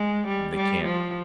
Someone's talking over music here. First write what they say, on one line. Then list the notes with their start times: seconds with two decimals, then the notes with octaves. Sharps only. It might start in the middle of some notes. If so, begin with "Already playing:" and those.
They can't
Already playing: G#3
0.28 G3
0.57 G3
0.85 F3